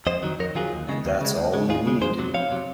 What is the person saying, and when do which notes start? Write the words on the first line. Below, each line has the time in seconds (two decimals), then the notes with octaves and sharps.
And that's all you need.
0.07 F2 C5 D#5
0.23 D#3 F#3
0.39 F2 A#4 C#5
0.55 D#3 F#3 F4 G#4
0.73 D#2
0.89 C#3 G#3
1.05 D#2
1.21 C#3 G#3
1.37 D#2
1.54 C#3 G#3
1.69 D#2 F4 G#4
1.86 C#3 G#3
2.01 F2 G#4 C5
2.18 C3 F#3
2.34 F2 C#5 F5
2.51 C3 F#3